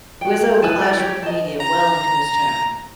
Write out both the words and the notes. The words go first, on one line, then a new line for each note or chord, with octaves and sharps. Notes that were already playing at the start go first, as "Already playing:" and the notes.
Rizzo clashed with the media well into his term.
F#4 G5
E4 B4 G#5 A5
D5
G4 C#5
D#5 A5
A#5